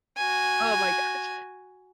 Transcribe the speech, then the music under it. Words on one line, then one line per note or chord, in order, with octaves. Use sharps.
Oh my gosh.
F#4 G#5